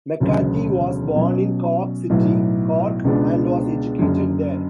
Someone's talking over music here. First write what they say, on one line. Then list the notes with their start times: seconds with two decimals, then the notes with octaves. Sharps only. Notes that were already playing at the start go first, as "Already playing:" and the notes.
McCarthy was born in Cork City, Cork, and was educated there.
0.20 E1 D2 C#3 F#3 B3
1.16 B2 F#3 C#4
2.10 B1 A2 F#3 B3 E4
3.04 C#2 B2 G#3 B3 D4
3.99 F#1 F#2 D3 F#3